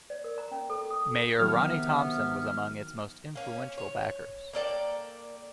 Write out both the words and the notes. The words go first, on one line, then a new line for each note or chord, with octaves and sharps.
Mayor Ronnie Thompson was among its most influential backers.
D5
A#4
A#5
C#4
A4
D#6
C3 D#3 F#3 B3 F6
A#3 C#4
C#5
A#3 A4 D5 G5